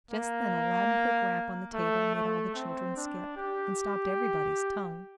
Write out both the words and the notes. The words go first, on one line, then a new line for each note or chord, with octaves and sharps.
Just then a loud and quick rap on the table made all the children skip, and stopped everybody's tongue.
A#3
A3
A3
C4
D4
G4